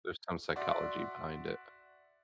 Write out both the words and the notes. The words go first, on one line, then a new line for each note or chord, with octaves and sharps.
There's some psychology behind it.
F#4 D5 E5 C6